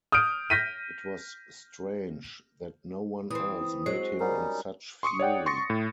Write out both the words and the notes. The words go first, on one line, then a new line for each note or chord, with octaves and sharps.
It was strange that no one else made him in such fury.
D#6 F6 G6 D7
G6 A#6 B6 D#7
E3 C4 D#6
F#3 G#3 C5
G3 C#4 D#4 A#4 F#5
C6 C#6 D#6 C#7
C#5 D5 F#5 G5
C6 C#6 A6 A#6 C#7
A2